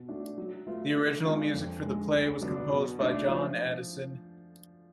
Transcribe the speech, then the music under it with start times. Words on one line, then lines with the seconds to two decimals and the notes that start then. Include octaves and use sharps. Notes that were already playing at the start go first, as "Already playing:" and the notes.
The original music for the play was composed by John Addison.
Already playing: B2
0.08 A3 D4 F#4
0.38 F#3
0.67 A3 F4 B4
0.96 D3
1.25 G#3 B3 D4 F4
1.54 F2
1.82 D3 G#3
2.12 D2
2.41 D3 F#3 B3 D4
2.70 B2
2.99 A3 D4
3.28 F3